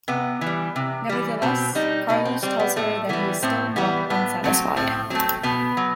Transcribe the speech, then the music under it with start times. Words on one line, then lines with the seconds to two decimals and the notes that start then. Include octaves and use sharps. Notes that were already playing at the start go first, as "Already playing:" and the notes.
Nevertheless, Carlos tells her that he still is not unsatisfied.
0.08 C3 B3
0.41 E3
0.46 G3
0.76 C3
1.09 E3 G3
1.42 B2 C4
1.75 G3 D#4
2.09 B2 D#4
2.25 C4
2.43 G3 C4
2.59 B3
2.76 A2 A3
3.09 E3 G3 B3
3.43 A2 C4
3.76 E3 G3 B3
4.10 A2 B3
4.44 F#3 A3 C4
4.77 A2 C4
5.10 F#3 A3 C4
5.43 B2 B3
5.77 F#3